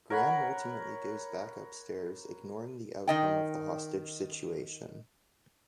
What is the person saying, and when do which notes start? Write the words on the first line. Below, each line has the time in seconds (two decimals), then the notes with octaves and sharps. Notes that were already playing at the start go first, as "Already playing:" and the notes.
Graham ultimately goes back upstairs, ignoring the outcome of the hostage situation.
0.10 A#4 C#5 F#5 B5
3.08 D#3 D#5 G5